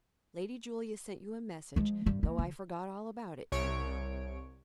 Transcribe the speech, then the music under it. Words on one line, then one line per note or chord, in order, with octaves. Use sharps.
Lady Julia sent you a message, though I forgot all about it till now.
F3 G#3
G2 G3
A#3
D3
C2 C#5 D7